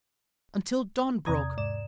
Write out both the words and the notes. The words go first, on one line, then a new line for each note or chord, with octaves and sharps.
Until dawn broke.
E2 C3 D5 A#5 D#6 G#6
G#2 D5 E7